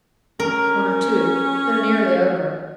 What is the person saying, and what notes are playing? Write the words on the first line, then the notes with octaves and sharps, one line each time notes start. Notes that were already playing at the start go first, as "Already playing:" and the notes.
"One or two; they're nearly over."
C#4 A#4